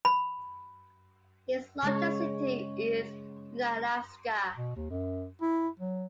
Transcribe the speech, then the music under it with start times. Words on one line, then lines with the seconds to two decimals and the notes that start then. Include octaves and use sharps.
Its largest city is Unalaska.
0.05 B5
1.83 C#3 G#3 C#5
4.56 B2
4.76 D#2
4.90 F#2
5.41 E4
5.79 F#3